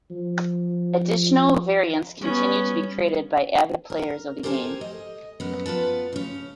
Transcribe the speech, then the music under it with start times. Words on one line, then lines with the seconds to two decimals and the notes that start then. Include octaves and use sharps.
Additional variants continue to be created by avid players of the game.
0.11 F3
2.22 G3 B3 C#4
3.90 A#4
4.43 G4 A4 A#4 C5 F#5 G#5
4.81 D#5
5.40 F#2 B3
5.66 B3 F4 B4 A5
6.13 C#3 C#4